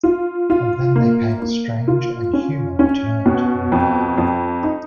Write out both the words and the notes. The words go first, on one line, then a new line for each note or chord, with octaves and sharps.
And then there came a strange and human turn to the affair.
F4
F4
A#3
A#3
F4
C#4
C#4
B2
F2
F2
D#4